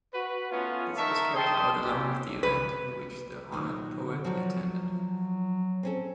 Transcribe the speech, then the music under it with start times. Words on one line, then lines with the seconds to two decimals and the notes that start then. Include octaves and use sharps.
This was carried out along with the event in which the honored poet attended.
0.14 F#4 B4
0.52 A3 B3 C#4 F4
0.97 D#4 A#4 E5 A5 C#6
1.36 G5 A5 C6 D#6
1.84 C#4 E4 G4
2.43 B4
3.52 A#2 D#3 F#3
4.01 D3
4.24 F3 F#3 F#4 D5
5.83 C4 C#4 A4